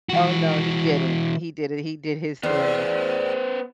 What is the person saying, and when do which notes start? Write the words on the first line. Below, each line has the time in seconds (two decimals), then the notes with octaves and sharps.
Oh, no, he didn't, he did it, he did his thing,
0.09 E3 F#4
2.43 E2 B3 C5